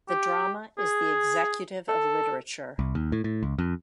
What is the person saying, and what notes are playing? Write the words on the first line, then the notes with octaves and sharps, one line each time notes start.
The drama is the executive of literature.
G4
G#4
A4
C2
D#2
A2
A2
C#2
F2